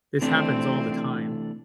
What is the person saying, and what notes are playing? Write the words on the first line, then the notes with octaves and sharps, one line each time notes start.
this happens all the time.
C3 E3 A3 C4 D4